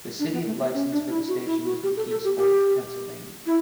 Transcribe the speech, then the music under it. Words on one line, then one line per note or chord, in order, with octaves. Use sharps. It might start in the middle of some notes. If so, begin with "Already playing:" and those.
The city of license for the station is McKeesport, Pennsylvania.
D4
B3
A3
B3
C#4
D4
E4
F#4
E4
F#4
G4
A4
A4
G4
G4
E4